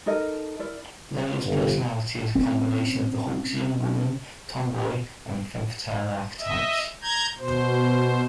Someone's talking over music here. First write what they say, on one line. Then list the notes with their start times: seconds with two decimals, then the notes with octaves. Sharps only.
Lola's personality is a combination of the Hawksian woman, tomboy and femme fatale archetypes.
0.06 D#4 A4 A#4 D#5
0.59 E4 A#4 D5
1.43 G1
2.35 C4 C#4
6.40 D#5 E5
7.02 A#5 G6 G#6
7.39 B2 C5